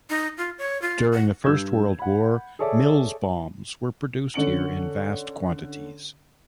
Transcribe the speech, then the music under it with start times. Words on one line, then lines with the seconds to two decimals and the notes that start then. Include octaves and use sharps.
During the First World War Mills Bombs were produced here in vast quantities.
0.10 D#4
0.38 F4
0.58 C#5
0.82 F4
1.12 F#5
1.44 G2 E6 G6 G#6
1.99 F#5 B5
2.59 G#4 A4 C#5 D5 E5
4.34 D3 C#4 C#7 F#7